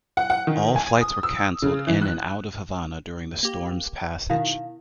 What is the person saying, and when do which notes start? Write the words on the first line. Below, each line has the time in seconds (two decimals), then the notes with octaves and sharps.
All flights were canceled in and out of Havana during the storm's passage.
0.17 F#5
0.30 F#5
0.47 D#3
0.76 G#5
1.01 D#6
1.23 E6
1.62 C#3
1.87 E3
2.01 F#6
3.43 A#3 G4
4.30 B2 D#3 E4 F5